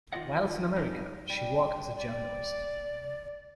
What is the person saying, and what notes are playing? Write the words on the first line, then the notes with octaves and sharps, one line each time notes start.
Whilst in America she worked as a journalist.
D#3 B3 F4 D5 D#5 F#5
F2 G3 G#3 D#4
G3
D5